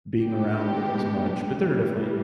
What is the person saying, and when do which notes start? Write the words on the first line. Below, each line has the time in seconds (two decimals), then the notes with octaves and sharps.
being around them as much, but there are definitely
0.22 G#3 B3 D4 G4
1.55 A2 E3 G3